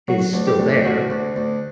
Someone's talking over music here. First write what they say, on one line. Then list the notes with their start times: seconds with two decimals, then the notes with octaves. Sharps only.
is still there
0.08 F#3 F#4
0.34 D2
0.47 G4
0.60 D2
0.85 D2 F#4
1.10 D2
1.36 D2